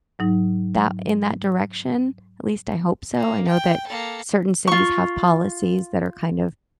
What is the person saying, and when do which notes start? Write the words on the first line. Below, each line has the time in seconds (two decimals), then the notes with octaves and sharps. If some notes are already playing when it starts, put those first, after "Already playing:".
that in that direction, at least I hope so, I know that certain cities have policies that are kind of
0.19 G#2 F#3 D#4
3.16 A#3
3.47 G5
3.88 A#3 A4
4.67 F4 C#6